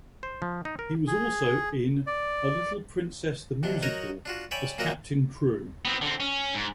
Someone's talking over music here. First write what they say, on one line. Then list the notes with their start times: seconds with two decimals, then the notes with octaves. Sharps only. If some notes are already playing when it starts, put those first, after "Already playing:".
He was also in "A Little Princess the Musical" as Captain Crewe.
0.23 C5
0.42 F3
0.65 D#4
0.79 A#4
1.08 G#4
2.07 D5
3.63 D#2 C3 D4
3.82 F#3 D#4 F#4 A#4 C#5 D#5
4.25 D4 F4 F#4
4.51 C#5 D5 E5 G5 G#5 B5
4.78 A#2 F#3 A#3 F#4 A#4 D#5
5.85 B3 C4
6.02 D3 C4
6.20 C#4
6.55 G#2